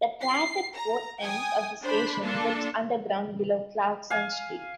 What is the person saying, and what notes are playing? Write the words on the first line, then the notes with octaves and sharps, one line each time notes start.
The track at both ends of the station dips underground below Clarkson Street.
C7
A#5
G5 G#5 D#6
D4 C5 B5
A#3 D4 F4 A4
F5 G#5